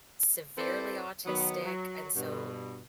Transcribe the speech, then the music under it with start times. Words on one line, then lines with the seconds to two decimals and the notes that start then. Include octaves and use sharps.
severely autistic, and so,
0.58 C4 E4 A4 B4 C5 D5
1.25 D#3 F#3 B3
1.65 F#3
2.15 G2 B2